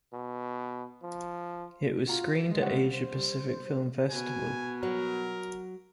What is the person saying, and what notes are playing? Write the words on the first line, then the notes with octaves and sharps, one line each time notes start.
It was screened at Asia Pacific Film Festival.
B2
F3
F4 F#4 A#5
G#3
C#3 G3 F#5
C5
G3
B2 G#5
F#3 A#4